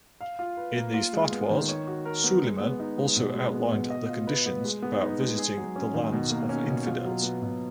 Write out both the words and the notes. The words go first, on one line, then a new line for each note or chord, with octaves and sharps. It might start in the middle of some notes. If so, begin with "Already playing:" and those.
In these fatwas Suleiman also outlined the conditions about visiting the lands of infidels.
F5
F4
B4
A#3
F4
G#3
B3
D#3
C#5
F#4
A#4
B3
G#3
B3
D#4
G#3
B2
G#3
B3
B2
D#5
F4
B4
B3
G#3
B3
D#4
G#3
G#4
F#3
C#4
D#3
B2
A#3
C#4
B2
F4
F#3
B3
B2